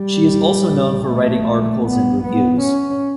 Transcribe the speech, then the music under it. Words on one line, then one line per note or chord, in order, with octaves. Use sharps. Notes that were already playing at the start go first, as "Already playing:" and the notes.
She is also known for writing articles and reviews.
Already playing: G3
A3
B3
B3
C#4